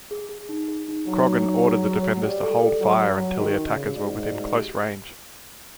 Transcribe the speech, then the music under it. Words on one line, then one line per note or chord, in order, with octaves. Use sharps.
Croghan ordered the defenders to hold fire until the attackers were within close range.
G#4
G#4
D#4
G#4
D#4
F#3 D#4
D#4
D#4
G#4
C#5
C#5
G3 F#4
A4
G3
A4
F#3 F#4
F#4
F#3
F#4
D#3 F#4
F#4
C#3
F#4
G#2 D5
D5
F#4
G4